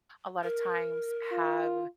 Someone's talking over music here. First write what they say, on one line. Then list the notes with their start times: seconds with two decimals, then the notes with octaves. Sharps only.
a lotta times, have
0.43 A#4
1.32 F4